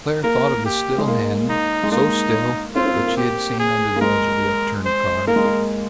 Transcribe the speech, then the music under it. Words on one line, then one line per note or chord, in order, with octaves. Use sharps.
Claire thought of the still hand--so still--that she had seen under the edge of the upturned car.
A#3 A#4
G4
G#3
A#3
D#4
G#3
A#3 D#4
C4 F4
C4
A#3
A#3
G4
G#4
A#3
G#3 A#4
C5
A#3 A#4
G#3
A#3